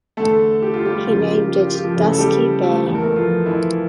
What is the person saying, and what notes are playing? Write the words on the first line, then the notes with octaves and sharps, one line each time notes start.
He named it Dusky Bay.
E2 D3 A3 A4
G4
F4
G3 G4
C#3 F3 A#3 F4
G4
F4
G4
F4
G4
F4
G4
F3 F4
C#3 E3 A3
A4
G3 G4
A3 A4
E2 E3 A3 A4
A#4
A3 A4
F3 F4
E3 E4